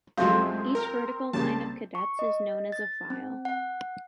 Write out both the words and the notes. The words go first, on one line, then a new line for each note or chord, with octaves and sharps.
Each vertical line of cadets is known as a file.
F#2 C3 F3 G#3 A3 C4 F5 E6
A#4
C2 C#3 A#3 A5
C#6
D#5
A6
C4
F#5